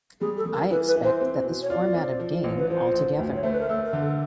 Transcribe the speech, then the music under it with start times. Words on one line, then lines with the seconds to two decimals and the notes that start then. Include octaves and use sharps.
I expect that this format of game altogether.
0.21 G3 G#4
0.37 A4
0.46 G3
0.54 A#4
0.70 E3 B4
0.87 B4
0.96 E3
1.03 C5
1.21 C4
1.45 B2
1.62 C#5
1.70 F4 D5
1.94 C4
2.19 F3
2.44 A1
2.57 B4
2.69 F3 C5
2.93 A1
3.19 D2
3.34 C#5
3.43 A3 C5
3.52 B4
3.60 A#4
3.69 A3 A4
3.85 A#4
3.93 D3
4.02 A4